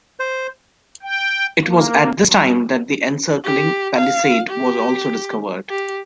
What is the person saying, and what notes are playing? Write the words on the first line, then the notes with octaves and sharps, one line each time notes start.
It was at this time that the encircling palisade was also discovered.
C5
G5
A#3
G4
F5
G4
G4